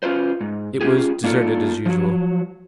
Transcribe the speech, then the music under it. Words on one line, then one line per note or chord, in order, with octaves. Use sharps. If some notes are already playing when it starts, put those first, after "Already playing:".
It was deserted as usual.
C#4 F4 B4 C5
G#2
C#4 F4 G4 G#4
A#3 D4 D#4 F4 A4
F3 F#3